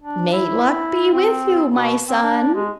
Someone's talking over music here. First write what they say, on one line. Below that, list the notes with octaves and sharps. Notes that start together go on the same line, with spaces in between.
'May Luck be with you, my son.
D4
E4
C4
B2
C4
D4
G#3